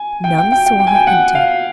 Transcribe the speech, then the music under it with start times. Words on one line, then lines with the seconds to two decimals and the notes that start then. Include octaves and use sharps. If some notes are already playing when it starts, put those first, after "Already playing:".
None saw her enter.
Already playing: G#5
0.24 G5
0.38 G5
0.52 G5
0.66 G5
0.80 G5
0.87 G#5
0.95 G5
1.07 F#5
1.35 F5